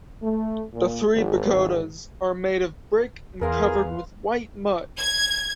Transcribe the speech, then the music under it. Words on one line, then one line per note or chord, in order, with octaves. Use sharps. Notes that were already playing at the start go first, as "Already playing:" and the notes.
The Three Pagodas are made of brick and covered with white mud.
A3
A#2
G#1
E2 G#4 A#4 B4 F5 C6
G#6